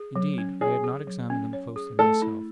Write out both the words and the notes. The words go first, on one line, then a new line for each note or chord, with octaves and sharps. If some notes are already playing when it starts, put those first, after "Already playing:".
Indeed, I had not examined them closely myself.
Already playing: G#4
F#3
C#4
G#4 C#5
G#4
F#3
C#4
C#5
G#4
A3 A4
E4